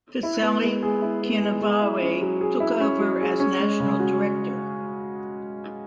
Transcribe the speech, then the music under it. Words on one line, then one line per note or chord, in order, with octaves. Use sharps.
Peceli Kinivuwai took over as National Director.
E4
B3
G#3
G#4
E4
B3
G#3
G#4
E4
C#4
F#3
G#4
E4
C#4
F#3
G#4
C#4
G#3
C#3
F#4